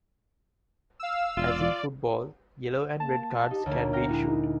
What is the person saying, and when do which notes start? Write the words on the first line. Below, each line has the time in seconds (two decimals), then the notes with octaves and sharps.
As in football, yellow and red cards can be issued.
1.00 F5 E6
1.37 E1 F4 D5
3.00 A#3 A5
3.51 D#4 G4
3.66 D2 A#3 C#5
3.93 F5 G5 A#5
4.09 A#2 G#3 E4
4.28 D#4